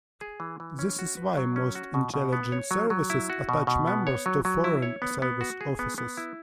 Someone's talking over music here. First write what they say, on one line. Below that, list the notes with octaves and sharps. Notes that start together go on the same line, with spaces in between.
This is why most intelligence services attach members to foreign service offices.
G#4
E3
E3
C#4
F#4
B4
F#3
C#4
F#4
B2
B2
B3
C#5
F#3
F#3
E4
F#4
B2
B2
B3
C#5
F#3
F#3
E4
C#5
B3
B3
F#4
G#4
B3
B3
E4